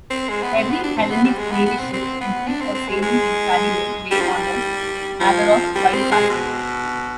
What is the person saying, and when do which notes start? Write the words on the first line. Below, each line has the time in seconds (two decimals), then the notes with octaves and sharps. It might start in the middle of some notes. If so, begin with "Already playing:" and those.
Every Hellenic Navy ship entering or sailing in Faliro Bay honours "Averof" while passing.
0.10 C4
0.29 G#3
0.43 B3
0.56 C4
0.70 B3
0.83 D4
0.97 C4
1.11 B3
1.24 G3
1.38 G#3
1.51 B3
1.66 B3
1.79 C4
1.93 C4
2.20 B3
2.47 D4
2.61 C4
2.75 C4
2.88 G#3
3.02 G#3
4.11 G3
4.20 F3
4.29 G3
5.20 F3
5.75 G3
5.94 C4
6.11 G#3
6.30 B2